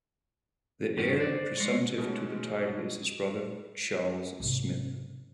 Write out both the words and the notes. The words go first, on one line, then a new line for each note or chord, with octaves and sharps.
The heir presumptive to the title is his brother, Charles Smith.
G2 D#3 B3 C#4
C5 D5
G#3 C#5
B2 G#3 A3 B3 C#4 D#4
G#1 C3